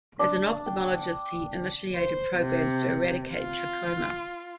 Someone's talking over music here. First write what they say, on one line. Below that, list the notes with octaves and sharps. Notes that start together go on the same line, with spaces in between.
As an ophthalmologist, he initiated programs to eradicate trachoma.
D4 A5
G5
C5
C3
F4